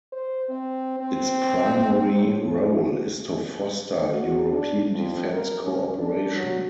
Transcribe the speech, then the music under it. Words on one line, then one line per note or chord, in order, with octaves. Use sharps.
Its primary role is to foster European defence cooperation.
C5
C4
C4
A2
F#4
D4
F2
A#4
C#4
D4
F#3